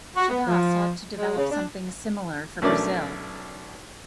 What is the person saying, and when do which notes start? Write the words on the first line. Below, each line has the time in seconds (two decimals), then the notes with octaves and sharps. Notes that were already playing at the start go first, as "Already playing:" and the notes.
Chagas sought to develop something similar for Brazil.
0.16 F#4
0.29 B3
0.47 F3
1.17 G#3
1.37 C#3
1.51 D4
2.62 B1 A3 C#4 D4 A#4 D5